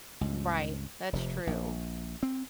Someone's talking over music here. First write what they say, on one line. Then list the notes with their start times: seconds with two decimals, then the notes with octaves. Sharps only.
Right, that's true.
0.21 C#2 G2
1.13 F1 F2 C3
1.47 A#1
2.23 C4